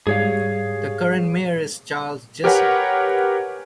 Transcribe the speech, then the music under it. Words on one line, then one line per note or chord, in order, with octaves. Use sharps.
The current mayor is Charles Jessup.
G#2 G3 G#4 C#5 F5
G4 A#4 B4 C#5 F#5 G#5